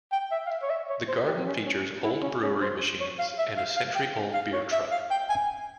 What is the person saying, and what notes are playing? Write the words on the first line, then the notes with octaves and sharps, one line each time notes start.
The Garden features old brewery machines and a century-old beer truck.
G5
E5
F5
E5
C#5
E5
C#5
C5
G4
C4
C#4
C#4
E4
C#4
C#4
C5
C#5
F5
E5
F5
F5
G5
F5
C#5
E5
F5
G5
G#5